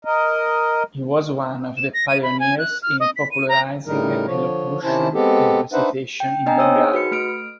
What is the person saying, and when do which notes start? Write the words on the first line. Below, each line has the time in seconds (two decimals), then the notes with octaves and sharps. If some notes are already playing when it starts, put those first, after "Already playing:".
He was one of the pioneers in popularizing elocution and recitation in Bengali.
0.05 A#4 D#5
1.77 E7
1.94 A#6
2.08 D#7
2.23 B5
2.40 G#5
2.59 F#6
2.82 F6
3.00 D#5
3.16 B6
3.31 D#7
3.48 A#5
3.87 A2 C#3 G3 D#4 A#4
4.27 D3 F3 C#5
4.83 C3 D#3 C#4 E4 C5 A5
5.14 G#3 B3 C4 G4 A4
5.73 D4 D#4 B4 C5 E5 F#5
6.20 G5
6.46 B3 D4 D#5 G5 G#5 A#5
6.59 C5 C#5 D#6 E6
6.76 D#4 G#4
6.93 F#4 B4 C#7
7.11 A3 F6 D7